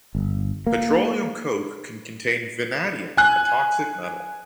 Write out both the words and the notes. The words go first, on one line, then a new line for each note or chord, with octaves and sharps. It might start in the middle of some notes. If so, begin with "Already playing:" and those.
Petroleum coke can contain vanadium, a toxic metal.
G1
A#3
G#5 F#6